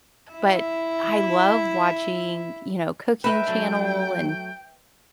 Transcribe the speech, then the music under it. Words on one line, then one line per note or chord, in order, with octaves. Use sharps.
But, I love watching, you know, cooking channel and
E4 E5
G#3 D#4 B4 E5 G5
F#3 A3 D4